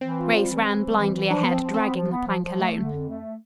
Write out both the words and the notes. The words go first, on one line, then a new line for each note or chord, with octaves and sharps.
Grace ran blindly ahead, dragging the plank alone.
E3 C4
F4
G3
E3
E3
G3
E3
E3
F3 D4
B3
F3 C4
F3
B3 C4
F3
B3
F3
F3
A3
D3
F2
A3